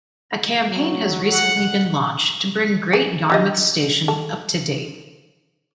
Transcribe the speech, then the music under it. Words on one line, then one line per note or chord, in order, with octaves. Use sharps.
A campaign has recently been launched to bring Great Yarmouth Station up-to-date.
F#3
F#5
G#4
D4 G4 D#5
A4